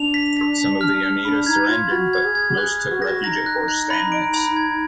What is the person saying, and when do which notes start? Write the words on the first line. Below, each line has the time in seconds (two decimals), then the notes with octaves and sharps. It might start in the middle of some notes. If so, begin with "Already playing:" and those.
Some of the Oneida surrendered, but most took refuge at Fort Stanwix.
Already playing: D4 F7
0.14 B6
0.37 B6
0.58 B6
0.81 F6
1.03 F6
1.25 D4 B5
1.46 D#4 G#6
1.69 F4 G#6
1.91 F#4 B5
2.13 G#6
2.25 G#4
2.35 G#6
2.50 F#4
2.57 G#4 F#6
2.79 F#6
2.90 F#4
3.00 G#4 A#6
3.10 F#4
3.24 D#4 A#6
3.46 F#6
3.68 F#6
3.90 B5
4.12 D7
4.34 B5
4.56 G#6